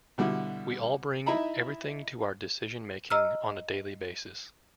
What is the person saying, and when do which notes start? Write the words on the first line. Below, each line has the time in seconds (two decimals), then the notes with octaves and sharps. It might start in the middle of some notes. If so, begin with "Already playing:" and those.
We all bring everything to our decision-making on a daily basis.
0.18 B2 D3 G3 E4
1.26 D#4 E4 D#5 E5 A#5 B5
3.10 D#5 A#5 E6 F6